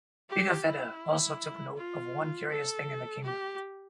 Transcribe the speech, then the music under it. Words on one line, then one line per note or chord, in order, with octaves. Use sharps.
Pigafetta also took note of one curious thing in the kingdom.
G4
E4
F4
A4
G4